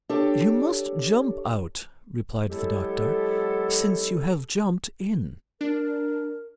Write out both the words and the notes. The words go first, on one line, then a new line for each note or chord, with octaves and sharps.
"You must jump out," replied the doctor, "since you have jumped in."
D4 G4 A4 C#5
F#3 G#3 B3 E4 G4 A4
D4 A#4